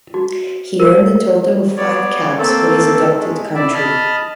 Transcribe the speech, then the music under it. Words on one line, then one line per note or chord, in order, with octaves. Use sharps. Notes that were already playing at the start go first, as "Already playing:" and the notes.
He earned a total of five caps for his adopted country.
F#4
A#4
B3 C#5 D5
A3 A#3 C4 A4
G#3 A3
E4 D5 E5
D#5 A5 B5 F6